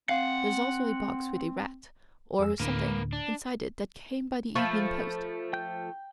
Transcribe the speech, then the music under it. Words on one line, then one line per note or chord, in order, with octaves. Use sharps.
There's also a box with a rat, or something, inside it that came by the evening post.
C4 F5 F#5
F2 G#4 E6
D2 A2 D3 A#3 B4
D4
F3 A3 B5 C#6
G5 G6